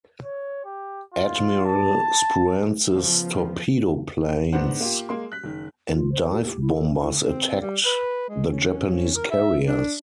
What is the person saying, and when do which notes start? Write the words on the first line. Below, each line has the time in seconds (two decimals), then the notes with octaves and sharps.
Admiral Spruance's torpedo planes and dive-bombers attacked the Japanese carriers.
0.23 C#5
0.65 G4
1.14 F4
1.65 A5
2.92 C#3 F3 B3
4.53 G#2 B3 D4 C5 F#5
4.81 A#3 F4 G4
5.09 G#3 A#3 C6
5.32 F#6 B6
5.44 F#1 D#3
5.93 F4
6.12 C5
6.30 F#4
6.45 G4
6.61 E4
6.75 A4
6.88 C#4
7.02 E4
7.28 C4
7.61 G3
7.85 B4
8.29 G#3
8.50 C#4
9.15 A#4
9.31 E5
9.68 D4